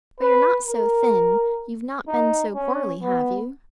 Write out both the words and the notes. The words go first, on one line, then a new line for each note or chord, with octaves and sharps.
But you're not so thin--you've not been so poorly, have you?'
B4
A#4
D#4
C#4
B3